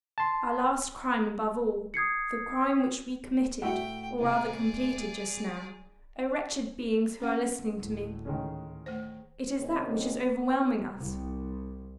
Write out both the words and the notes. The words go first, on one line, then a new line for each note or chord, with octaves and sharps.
Our last crime, above all, the crime which we committed, or rather completed, just now--O wretched beings who are listening to me--it is that which is overwhelming us.
A5 C6
D#6 G#6 C7 C#7
A2 F#4 E5 F#5 G5
C3 G#4 D5
C#4 B4 F#5
D2 A2
D#3 G#3 C#4
A3 C5
D#2 C3 G#3 B3 C#4
C2